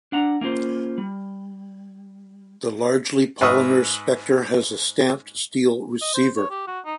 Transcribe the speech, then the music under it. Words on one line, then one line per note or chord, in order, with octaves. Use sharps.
The largely polymer Spectre has a stamped-steel receiver.
D4 F#5 A#5
A#3 C#4 F4 C5
G3
G#2 B4 E5 C#6 D#6 F6
D#5
C5
C#5
G4
F#4
D#4